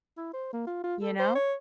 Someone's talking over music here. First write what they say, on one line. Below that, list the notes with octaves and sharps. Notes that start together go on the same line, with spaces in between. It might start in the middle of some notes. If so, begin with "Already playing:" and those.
Ya know?
E4
C5
A#3
F4
F4
A4
C5
C#5